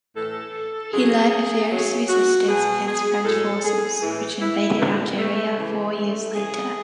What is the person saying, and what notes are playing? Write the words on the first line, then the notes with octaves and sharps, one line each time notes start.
He led a fierce resistance against French forces, which invaded Algeria four years later.
A2 E3 A4
C#3 F#3 G#4
C#3 F#3 G#4
F#4
B2 F#3 G#4
G#4
A2 F#3 A4
G#4
A2 E3
E4
A2 F#3 B3
A3
C#3 E3
A3
C#3 E3 G#4